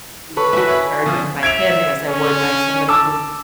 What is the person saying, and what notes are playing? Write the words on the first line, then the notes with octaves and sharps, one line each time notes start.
being taken charge of by him, as I would by somebody who's,
A4 B4 C#5
F#4 E5 G#5
E4 C#5
B2 D3 F3
E5 G#6 D7 F7
C#4
A5 D6 E6